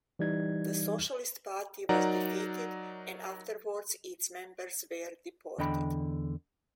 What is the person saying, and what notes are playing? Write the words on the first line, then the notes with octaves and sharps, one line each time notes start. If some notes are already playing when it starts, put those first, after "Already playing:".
The socialist party was defeated and afterwards its members were deported.
E3 G3 D#4 G#6
F#3 D#4 A#4 D5 F#5 A#5
E2 D3 D#5 G5 B5